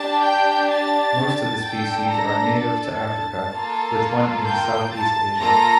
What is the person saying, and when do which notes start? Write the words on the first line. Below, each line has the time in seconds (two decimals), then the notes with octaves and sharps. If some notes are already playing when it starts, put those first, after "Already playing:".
Most of the species are native to Africa, with one in Southeast Asia.
Already playing: D4 G4 A5 A6
0.24 G5 G6
0.71 A5 A6
1.64 D4 A4 G5 G6
2.11 A#5 A#6
2.58 A5 A6
3.52 A#3 F4 A4
4.47 G5 G6
4.93 A5 A6
5.40 A#3 F4 A4 A#5 A#6